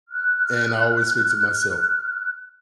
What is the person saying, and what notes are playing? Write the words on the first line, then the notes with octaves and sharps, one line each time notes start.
and I always fix it myself.
F6 F#6